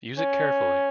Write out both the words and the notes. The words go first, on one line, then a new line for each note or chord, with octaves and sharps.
Use it carefully.
C#4